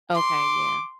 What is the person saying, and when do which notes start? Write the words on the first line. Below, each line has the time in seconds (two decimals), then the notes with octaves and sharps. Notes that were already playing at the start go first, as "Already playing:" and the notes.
Okay. Yeah.
0.14 C6 D6